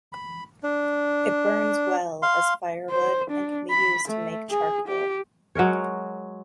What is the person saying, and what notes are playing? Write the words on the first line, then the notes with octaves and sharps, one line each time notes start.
It burns well as firewood and can be used to make charcoal.
B5
D4
F5 C6
C5
D4
B5
A3
G#4
G4
F#3 G#3 A#4 C#5